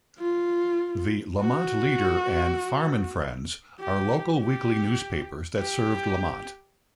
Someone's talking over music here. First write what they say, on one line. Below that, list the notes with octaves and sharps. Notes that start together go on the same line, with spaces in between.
"The Lamont Leader" and "Farm 'n' Friends" are local weekly newspapers that serve Lamont.
F4
F#4
G4
G4
G4